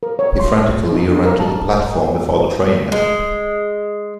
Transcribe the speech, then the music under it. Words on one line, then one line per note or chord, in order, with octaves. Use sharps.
He frantically ran to the platform before the train left.
A#4
C#5
C6
D#4
D4
A#4
A5
G#3